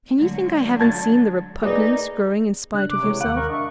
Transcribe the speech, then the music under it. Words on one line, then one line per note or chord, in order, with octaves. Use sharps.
Can you think I haven't seen the repugnance growing in spite of yourself?
D3 F#3 G#3
A5 G#6 A6
A#3 D#4 G#4 B4 D5
C#3 D4 F#6
C3 D6
E3 G#3 C#5
D#2 F5 F#5 F#6
A#4 C#6
D4 D#5 E5 C#6